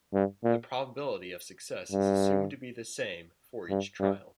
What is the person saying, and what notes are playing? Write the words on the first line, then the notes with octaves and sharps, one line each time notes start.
The probability of success is assumed to be the same for each trial.
G2
A#2
G2
G2
G2